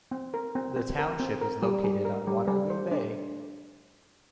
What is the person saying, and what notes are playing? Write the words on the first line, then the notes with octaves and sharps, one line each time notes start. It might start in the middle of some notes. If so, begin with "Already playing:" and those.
The township is located on Waterloo Bay.
C4
A#4
C4
C4
A#4
C4
A#4
G3
G3
A#4
G3
G3
C5
D4